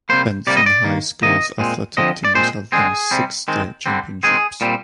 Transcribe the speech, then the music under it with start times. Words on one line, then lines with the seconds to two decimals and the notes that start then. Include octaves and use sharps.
Benson High School's athletic teams have won six state championships.
0.09 C3 G3 A#3 C5
0.47 C3 G3 A#3 D5
0.57 D#5
0.66 D5
0.84 D#3 A#3
1.22 C3 D#3 A#3 D#5
1.60 A#2 G#3 C4
1.97 D3 F3 C4 D#5
2.25 D5
2.35 A#2 G#3 C4 C5
2.72 D3 G#3 C4 G#4
3.11 C3 G3 C4
3.48 D#3 G#3 C4
3.86 D3 G3 C4
4.23 D#3 G#3 C4 G#4
4.61 A#2 G3 C4